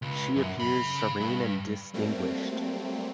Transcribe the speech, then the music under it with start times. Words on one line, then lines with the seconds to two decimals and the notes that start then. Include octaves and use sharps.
She appears serene and distinguished.
0.02 C#2
0.36 F#2
0.59 C#3 B5
1.20 G2
1.93 F#3 G3 A3 A#3 C4